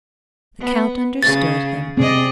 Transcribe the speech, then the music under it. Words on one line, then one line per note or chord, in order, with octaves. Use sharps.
The count understood him.
B3
C#3 G#4 A6
C3 C4 G#4 D5 D#5